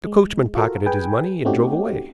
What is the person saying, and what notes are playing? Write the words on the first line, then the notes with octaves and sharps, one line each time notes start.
The coachman pocketed his money and drove away.
G#3
F4 F#4 A4 A#4
G#4 B4 G5 G#5
A3 C4 C#4 D#4 F#4 G4